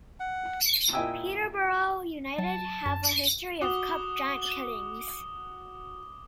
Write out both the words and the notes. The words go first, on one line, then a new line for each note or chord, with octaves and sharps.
Peterborough United have a history of cup giant-killings.
F#5
A#2 E4 D#5 G5 G#5 E6
F#3 A5
F#2
F#4 D6 D#6 G7